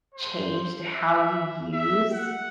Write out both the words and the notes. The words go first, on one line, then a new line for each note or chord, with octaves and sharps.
changed how you use,
C5
E5
E5
F#5